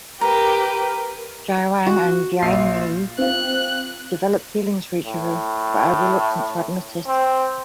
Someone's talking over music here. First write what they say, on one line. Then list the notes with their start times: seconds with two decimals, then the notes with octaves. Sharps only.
Ji-hwan and Gyung-hee develop feelings for each other but are reluctant to admit it.
0.21 G4 A#4 B4 A#5
1.86 F#4
2.42 A#1 F4 C7
3.18 C4 F4 F#6
5.06 A2
7.07 C4